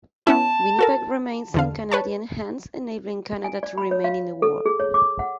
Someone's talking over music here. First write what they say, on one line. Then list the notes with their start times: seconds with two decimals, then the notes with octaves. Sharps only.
Winnipeg remains in Canadian hands, enabling Canada to remain in the war.
0.27 B3 C#4 E4 A5
0.79 F#4 A4 A#4
1.54 E2 D3 F5
1.91 B4 C#5 A5
3.44 G#5
3.63 D5
3.78 B5
3.91 C#5
4.04 F5
4.42 A4
4.66 G#4
4.80 C#5
4.94 D6
5.19 F#5